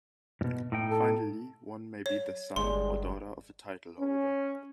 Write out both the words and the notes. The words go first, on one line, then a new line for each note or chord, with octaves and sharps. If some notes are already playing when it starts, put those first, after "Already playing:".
Finally, one may be the son or daughter of a title-holder.
G#2 B2
A2 D#4 G5
A4
F#3 C#5 E5
G1 G3 G#3 D4 G4 C6
C#4